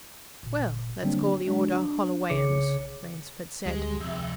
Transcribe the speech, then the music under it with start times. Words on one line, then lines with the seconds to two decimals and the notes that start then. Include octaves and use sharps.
"Well, let's call the order Hollowayans," Rainsford said.
0.43 G1 A#2
1.03 D3 F#3 G3 A#3 C4 D4
1.47 G#3 D4 F#4
1.73 D4
2.30 B1 C#3 G#4 C#5 D6 C#7
3.66 D2 G3 G#3
4.00 F2 C3 E5